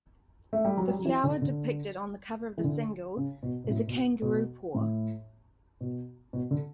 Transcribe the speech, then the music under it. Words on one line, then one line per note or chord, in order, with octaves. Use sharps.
The flower depicted on the cover of the single is a Kangaroo paw.
A3
G3
F#3
G3
F#3
E3
D3
D3
E3
D3
C#3
B2
B2
A2
B2
B2
A2
B2
B2
D3